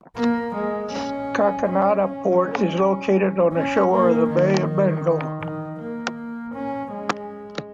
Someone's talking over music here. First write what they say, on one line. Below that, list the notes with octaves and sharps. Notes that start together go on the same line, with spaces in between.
Kakinada Port is located on the shore of Bay of Bengal.
A#3
G#3
C#4
C#4
C#4
C#4
A#3
D#3
D#3
A#3
C#4
G#3